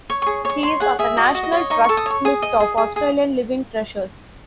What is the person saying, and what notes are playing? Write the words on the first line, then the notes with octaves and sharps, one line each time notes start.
He is on the National Trust's list of Australian Living Treasures.
C#5 C#6
G#4 C#6
C#5 C#6
C#5 C6
G#4 F#5
G#4 E5
F#4 D#5
F#4
D#5
C#5
D#4 C#6
A4 C#6
D#6
C#5 C#6
G#4 D#6
D#5
G#4
G#4
G#4